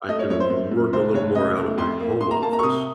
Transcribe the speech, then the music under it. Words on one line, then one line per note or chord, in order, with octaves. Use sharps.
I can work a little more out of my home office
A3 D#5
C#5
F#2 C#5
C5
F#2
F#2
F1 C5
F1 C#5
C#3 D#5
A3
F2 C6
A#3
A#3 C6
A#5
A#3 A5
A#5
C#6
C3 D#6